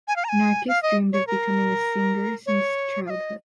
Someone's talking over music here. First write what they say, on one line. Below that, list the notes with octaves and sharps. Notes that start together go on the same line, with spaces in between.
Narkis dreamed of becoming a singer since childhood.
G#5
F5
A#5
G#5
F5
D#5
C#5
A#4
C#5
F5
D#5